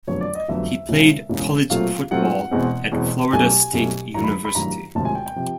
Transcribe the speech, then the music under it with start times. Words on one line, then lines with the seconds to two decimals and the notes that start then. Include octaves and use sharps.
He played college football at Florida State University.
0.07 F1 F2 D3 F#3 B3 C#5
0.21 D5
0.35 D#5
0.48 F1 F2 D3 F#3 B3 E5
0.89 E1 E2 C#3
1.30 E1 E2 C#3
1.70 A#2 F#3 A3 C4 F4 F5
2.11 A#2 F#3 A3 C4 F4 F#5
2.51 E2 B2 G#3 C4
2.92 E2 B2 G#3 C4
3.33 C2 B2 F#3 A3 C#4 G#5
3.73 C2 B2 F#3 A3 C#4
4.14 A1 G2 D#3 F#3 A#5
4.24 B5
4.45 B5
4.55 A1 G2 D#3 F#3 A#5
4.95 E1 D2 C3 F3 A5
5.05 G#5
5.15 G5
5.26 G5
5.36 C3 F3